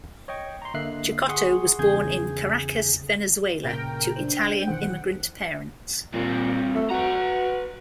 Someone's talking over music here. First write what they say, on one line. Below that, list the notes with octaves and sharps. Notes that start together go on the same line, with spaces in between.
Cecotto was born in Caracas, Venezuela to Italian immigrant parents.
C#5 D#5 G5 C#6
A#5 C6
D3 A#3 D#5 E5 F#6 C7
G#4 F#5 C6 C#6 D#6
E2 C#3 G#4 G6 G#6
A#2 C#3 A#4 G5
D4 C5
G5
B2 D#3 E3 C5 F#5
G2 A#2 C4
A3
F#4 B4 A#5